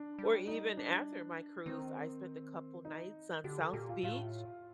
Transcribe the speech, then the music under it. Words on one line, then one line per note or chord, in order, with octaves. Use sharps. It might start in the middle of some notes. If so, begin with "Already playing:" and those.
or even after my cruise, I spent a couple nights on South Beach,
Already playing: D4
G3
D#4
D4
D#3 C4
D#4
D3 G4
A4
A#2 G4
F4
A2 F4